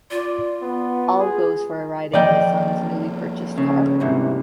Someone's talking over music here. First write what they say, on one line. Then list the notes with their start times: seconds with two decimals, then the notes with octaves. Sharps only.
Ill goes for a ride in his son's newly purchased car.
0.11 F4 D5
0.62 B3
1.19 G#4
2.14 D#3 F3 A#3 D5 D#5 G5
3.58 C#3
4.00 C2 G#2 C3